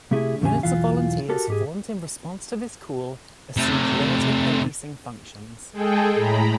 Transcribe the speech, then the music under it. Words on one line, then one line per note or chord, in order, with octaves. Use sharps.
Units of volunteers, formed in response to this call, assumed limited policing functions.
C3 A3 E4 G4 G#4
E2 A2 C#3 D4 G4 G#5
B1 E2 E3 F4 F5
F#4 G4 A4 A#4
G#2 G4 G#4
C3 A3
G#3 G#4 A4 G5
A2 A#5 B5